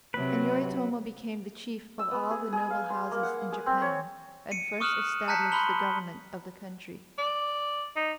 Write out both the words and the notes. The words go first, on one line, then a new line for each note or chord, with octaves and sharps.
And Yoritomo became the chief of all the noble houses in Japan, and first established the government of the country.
C3 F#3 B4
E6
B3
G#4
G#4
F5
C6
A#3
F#5
G#4
C4
C#5
C#7 D#7
C#6 D#6 F6 F#6 E7 F#7
A5 A#5 F#6 G6 B6 C#7
B5 C6 F#7 G7
D5
D#4